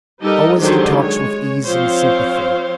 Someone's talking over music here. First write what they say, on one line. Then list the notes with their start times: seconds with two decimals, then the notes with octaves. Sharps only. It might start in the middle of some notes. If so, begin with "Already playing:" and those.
Always he talks with ease and sympathy.
0.20 G3 D#4 G4 A4 A#4 D#5
0.59 D3 D#3 F#3 G#3 G4 C5
1.01 G#3 C#5
1.64 F3 C4 C5 C#5 F5